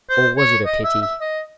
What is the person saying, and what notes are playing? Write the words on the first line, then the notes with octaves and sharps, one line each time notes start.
Or was it a pity?
C5
C#5
D#5
E5
E5
D#5